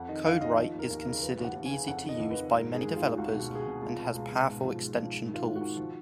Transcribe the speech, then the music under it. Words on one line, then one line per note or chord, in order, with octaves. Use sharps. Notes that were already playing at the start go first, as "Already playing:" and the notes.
CodeWright is considered easy to use by many developers and has powerful extension tools.
Already playing: F2 F#5
D#3 D#5
F2 F5
D#3 D#5
F3
D#2
A#4
D#2
A#4
C#3
F3 B4
D#2
F#5
D#2
G#5
C#3
F2 F#5
D#3 D#5
F2
B4
D#3
G#2 A#4
D#3
G#4
G#2
F4
D#3
C#2 F#4
B2
F#4
C#2
G#4
F#4
B2
C#2 F4
B2
C#2
B2
G#2
F3
G#2
F3
G#2
D#3
F4
G#2
F#4
D#3
F3